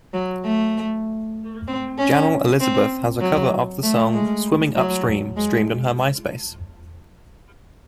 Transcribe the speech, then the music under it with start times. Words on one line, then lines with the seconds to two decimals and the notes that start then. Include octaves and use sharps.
Janel Elizabeth has a cover of the song "Swimming Upstream" streamed on her Myspace.
0.14 F#3
0.45 A3
1.68 C4
1.99 C#4
2.60 C4
3.21 F#3
3.83 A3
4.13 G#3
4.76 F#3
5.37 G#3